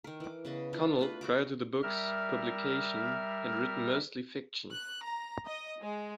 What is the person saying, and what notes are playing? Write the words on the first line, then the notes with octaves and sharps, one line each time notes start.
Connell prior to the book's publication had written mostly fiction.
D#3 A#4
E3 D6
C#3 B3 D#5
D4 E4 F4
A3 F4 B4
F#4 A#5 D6
G3 A#4 E5 F6
F#6
A#5
D#5
G#3